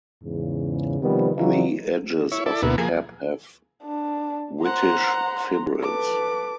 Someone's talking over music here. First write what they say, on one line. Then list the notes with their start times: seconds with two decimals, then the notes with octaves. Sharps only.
The edges of the cap have whitish fibrils.
0.24 E2 G#2 C#3
1.01 C3 D#3 F3 G3 B3
1.37 C#3 E3 F#3 D#4 F4
2.32 E4 C#5
2.46 E4 A4 D5
2.63 D2 B2 A#3 B3 E4
2.78 F3 A#3 G#4
3.83 D4
4.63 C5 F#5 A#5 C6
5.83 A4 B4 D6